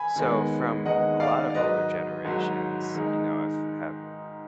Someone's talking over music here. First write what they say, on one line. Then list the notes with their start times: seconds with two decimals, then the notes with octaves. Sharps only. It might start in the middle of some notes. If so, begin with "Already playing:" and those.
So from a lot of older generations, you know have have
Already playing: G#5 B5
0.16 D#2 D#3 G#3 B3
0.86 D#2 D#3 G#3 B3 D#5 F#5
1.20 D5 F5
1.50 D5
1.55 G#1 G#2 F#3 B4 D#5
2.25 G#1 G#2 F#3
2.94 G#2 D#3 G#3 D#4